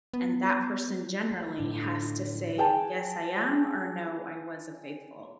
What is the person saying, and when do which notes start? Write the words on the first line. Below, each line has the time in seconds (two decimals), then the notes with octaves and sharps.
And that person generally has to say, "Yes, I am," or "No, I was a faithful."
0.14 B3
1.58 A2 D3 D4 D#4
2.58 G#4 G5 A5